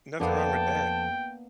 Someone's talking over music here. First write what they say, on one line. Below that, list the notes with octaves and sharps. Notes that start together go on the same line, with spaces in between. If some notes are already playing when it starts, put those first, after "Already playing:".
Nothing wrong with that.
F2 A#3 B3 D4 B4 C5 G5 A5